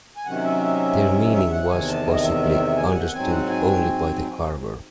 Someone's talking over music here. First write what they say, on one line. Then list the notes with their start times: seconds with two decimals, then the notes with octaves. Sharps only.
Their meaning was, possibly, understood only by the carver.
0.17 G#5
0.26 C3 D#3 F#3 C#4 F#5
0.44 E5
1.33 E5
1.51 F#5
1.70 E2 C3 D#3 G#5
1.88 A5
2.13 D#5
2.23 E5
2.77 G#5
2.95 F#5
3.12 G#2 F#3 C4 G#5
3.31 F#5
3.49 G#5